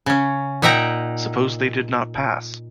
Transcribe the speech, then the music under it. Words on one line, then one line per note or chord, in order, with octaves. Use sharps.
Suppose they did not pass!
C#3 C#4
A#2 D#4 E5 F#5 G5 A#5